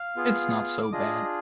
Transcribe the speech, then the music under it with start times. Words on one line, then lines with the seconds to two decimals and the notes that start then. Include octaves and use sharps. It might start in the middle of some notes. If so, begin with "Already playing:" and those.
It's not so bad.
Already playing: F5
0.16 B3 F4 G#4
0.82 D6
0.92 D4 F4 G#4 D#5 D#6